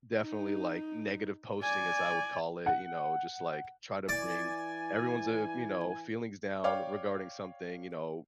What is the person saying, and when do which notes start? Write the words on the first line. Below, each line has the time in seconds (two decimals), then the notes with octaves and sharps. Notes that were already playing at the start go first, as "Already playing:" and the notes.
definitely, like, "negative posting" as I would call it, you know, just, like, try to bring everyone's, uh, you know, feelings down regarding something, you know,
0.21 D#4
1.63 D5 G#5
2.66 F#5
4.09 E3 D5 G#5
6.64 C#5 D5 F5 G5 D6